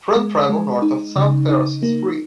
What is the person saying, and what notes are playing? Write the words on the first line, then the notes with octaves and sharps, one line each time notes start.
Tram travel north of South Terrace is free.
G#3
G#3
D#4
C#3
D#4
A#3